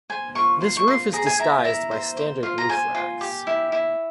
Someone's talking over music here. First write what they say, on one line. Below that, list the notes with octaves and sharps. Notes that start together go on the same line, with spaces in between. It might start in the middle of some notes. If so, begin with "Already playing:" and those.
This roof is disguised by standard roof racks.
C5 G#5
F4 C#6
C5 C6
C#6
F4 C6
G#4 A#5
G#5
E4 A#5
E4 A#5
C5
C5
F4
A#5
C5 G#5
F4
G4
E4
E4